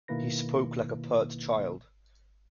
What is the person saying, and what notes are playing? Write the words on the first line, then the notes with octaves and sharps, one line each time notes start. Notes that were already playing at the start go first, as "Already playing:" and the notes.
He spoke like a pert child.
B2 D#3 A#3 E4 B4 A#6